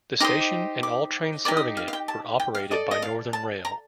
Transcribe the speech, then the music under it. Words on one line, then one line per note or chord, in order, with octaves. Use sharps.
The station, and all trains serving it, were operated by Northern Rail.
D#4 G4 C5 D#5 D6
D6
D#4 G4 D5 D6
D#6
F5
F5
G5
A5
G5
F5
A4 D5 D#5
D#5
F5
A5
A#5